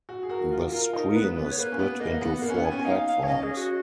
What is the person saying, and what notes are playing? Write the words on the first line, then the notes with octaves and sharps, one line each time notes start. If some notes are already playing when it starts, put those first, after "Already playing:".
The screen is split into four platforms.
F#4
G#4
F#4 A#4
F4
F4 A#4
D#4 A#4
A#4
B3 B4
B3
B4
C#5
A#3 B4
C#4
B3
A#3 D#5
F#5
B3
F#5
A#3 F#5
C#4
B3
G#5
C#4
D#4 F5
F5
C#5
C#4 D#5
G#4
F#4